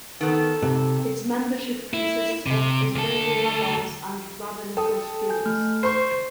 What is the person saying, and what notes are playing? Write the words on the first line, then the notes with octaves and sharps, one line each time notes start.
Its membership consists of Israeli Rabbis and rabbinical students.
D#3 B3 A4
G#2 C3
E4
C3
D2 A4
A4 G5 A5 D#6
G#5 G6
A3 F6
C5 C6 C#6 C7